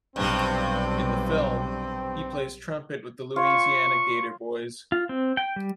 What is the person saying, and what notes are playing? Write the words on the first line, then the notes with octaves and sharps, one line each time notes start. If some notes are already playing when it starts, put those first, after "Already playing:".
In the film, he plays trumpet with The Louisiana Gator Boys.
B1 G2 C3 G3 C4
F4 C#5 F5 C#6
F4
C4
G5
G3